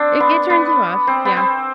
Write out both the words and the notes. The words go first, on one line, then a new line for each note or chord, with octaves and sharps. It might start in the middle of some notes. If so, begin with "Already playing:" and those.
It it turns you off. Yeah.
Already playing: C4 D4
B3
B3
C4
B3
C4